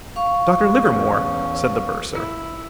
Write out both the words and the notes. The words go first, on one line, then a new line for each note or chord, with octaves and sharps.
"Dr. Livermore?" said the bursar.
F5 C#6
E2 C#4
E4